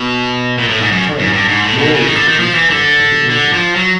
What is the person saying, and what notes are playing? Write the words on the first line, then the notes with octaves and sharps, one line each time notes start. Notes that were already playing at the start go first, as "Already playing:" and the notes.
At the time, Morley was the Bass Player for "The Angels".
Already playing: B2
A#2
A2
G#2
F#2
F#2
G2
G#2
A2
B2
C#3
D#3
D3
D#3
F3
E3
D3
D3
F3
F#3